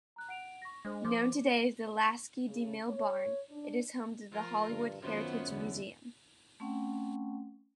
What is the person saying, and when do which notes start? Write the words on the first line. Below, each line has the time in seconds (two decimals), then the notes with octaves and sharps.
Known today as the Lasky-DeMille Barn, it is home to the Hollywood Heritage Museum.
0.16 A#5 F#6
0.29 F#5 D7 F7
0.62 C#6 A#6
0.85 G#3 D4 G#4 C5
1.05 F3 C6 D6
2.45 C#3
2.89 C#5
3.50 D4
4.32 F3 F4 A#4
4.69 G2 D3
5.02 F#2 D#3 B3 C#4 F4 C5
5.48 E2 D3 D4
6.60 A3 C4 C#4 F#5 G5